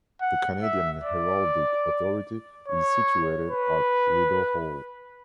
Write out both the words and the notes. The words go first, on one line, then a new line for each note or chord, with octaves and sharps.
The Canadian Heraldic Authority is situated at Rideau Hall.
F#5
E5
D5
C#5
B4